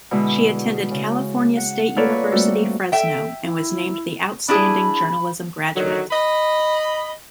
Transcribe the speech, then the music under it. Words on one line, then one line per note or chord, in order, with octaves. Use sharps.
She attended California State University, Fresno and was named the Outstanding Journalism Graduate.
B2 D3 G#3 E4
C#3
F#5
A#3 F4 A4 B4 C#5 D5
G3 A3 A#3 C4 F#4 A4
A4 E5 G5
E4
D4 E4 G#4 B5
D3 D#3 F#3
D#5 B5